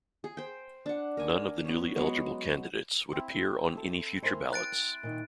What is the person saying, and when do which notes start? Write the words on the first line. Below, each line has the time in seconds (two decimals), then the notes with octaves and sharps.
None of the newly-eligible candidates would appear on any future ballots.
0.24 G#4
0.37 C5 G5
0.86 D4 F#5
1.17 A#4 G#5
1.65 B3 C#4
1.96 F#3 G#3 B3
3.12 C4 E4
3.77 A4
4.22 E4 A#4 C5 G#5 C6
4.53 F#6 A6 D7
5.03 A#2 D#3